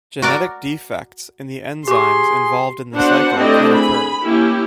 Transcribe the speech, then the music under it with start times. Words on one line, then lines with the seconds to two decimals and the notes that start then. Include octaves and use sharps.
Genetic defects in the enzymes involved in the cycle can occur.
0.22 F#4 A#4 D5
1.88 G4 G#4 C6 C#6
2.95 B3 D4 F#4 B4 C5 F#5
3.35 A3 C4 D4 E4 G4 D#5
3.71 G#4 B5
4.22 A#3 C#4 E4 G4